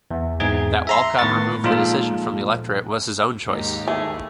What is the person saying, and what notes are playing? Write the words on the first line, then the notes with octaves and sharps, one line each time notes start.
That Walcott removed the decision from the electorate was his own choice.
E2
E2 G#2 C4 D#4 G#4 G#6
E5 A#5 C6
A2 D#3 B3 B4 C#6 A6
A#2 F3 G#3 D#4 F4 A4
D#2 G#2 D#4 G4
A3 G#4